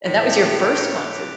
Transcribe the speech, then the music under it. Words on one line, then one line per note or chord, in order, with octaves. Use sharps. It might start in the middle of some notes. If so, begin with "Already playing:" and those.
and that was your first concert.
A2 B6
D6
D7
F#6